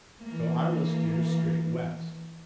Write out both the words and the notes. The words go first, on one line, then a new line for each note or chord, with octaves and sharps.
So I will steer straight west.
E3 A#3